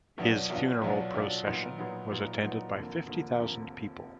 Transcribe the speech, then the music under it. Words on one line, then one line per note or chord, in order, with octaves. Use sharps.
His funeral procession was attended by fifty thousand people.
B1 B2 F#3 D4 F4
B1 B2 F#3 D4 F4
B1 B2 F#3 D4 F4
B1 B2 F#3 D4 F4
A#2 F#3 B3 D#4
A#2 F#3 B3 D#4
A#2 F#3 B3 D#4
A#2 F#3 B3 D#4
F1 D#2 D3 F3 A#3
F1 D#2 D3 F3 A#3
F1 D#2 D3 F3 A#3